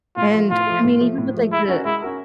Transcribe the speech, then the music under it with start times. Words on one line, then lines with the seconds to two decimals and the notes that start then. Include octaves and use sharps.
And, I mean, even with, like, the
0.16 A2 F4
0.33 F3 A3
0.50 A2 F4
0.67 F3 A3
0.84 A2
1.00 F3 A3
1.18 A2
1.34 F3 A3
1.51 G#3 E4
1.68 C#4 F#4 A#4
1.85 G#3 E4
2.02 C#4 F#4 A#4